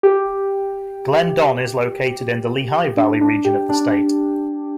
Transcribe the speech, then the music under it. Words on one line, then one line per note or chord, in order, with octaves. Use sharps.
Glendon is located in the Lehigh Valley region of the state.
G4
D4
D4
G4
D4